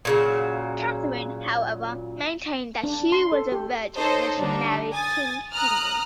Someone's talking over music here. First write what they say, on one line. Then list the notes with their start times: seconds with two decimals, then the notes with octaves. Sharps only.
Catherine, however, maintained that she had been a virgin when she married King Henry.
0.05 A#2 C#3 F#3
2.84 D4
3.12 C6
3.32 A4
3.52 G4
3.96 D#4 A4 C5 C#5 D#5
4.37 D3 G3 D4 D#4
4.92 G#5 D#6 A6
5.54 A#5 D#6 F6 F#6